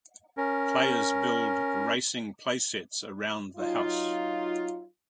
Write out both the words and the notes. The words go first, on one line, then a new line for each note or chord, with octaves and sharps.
Players build racing playsets around the house.
C#4 A#4
F#3 D#4 F4